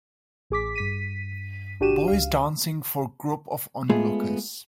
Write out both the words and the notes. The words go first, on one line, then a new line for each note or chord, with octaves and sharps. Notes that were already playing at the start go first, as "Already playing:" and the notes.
Boys dancing for group of onlookers.
A1 G#4 D6 B6
G2 B6 D#7
G#1 D4 F#4 G4 D#7 E7
C#2 F5
G#3 A3 B3 F4 G#4